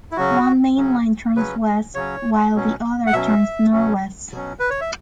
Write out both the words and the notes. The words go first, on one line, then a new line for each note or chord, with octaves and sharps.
One mainline turns west, while the other turns northwest.
E4
C#3 F#3 C#4 F#4
C#3 F#3 C#4
C#3 F#3 C#4 B4
C#3 F#3 C#4 C#5
B2 F#3 C#4
F#5
B2 F#3 C#4 E5
B2 F#3 C#4
B2 F#3 C#4
B4
C#5
E5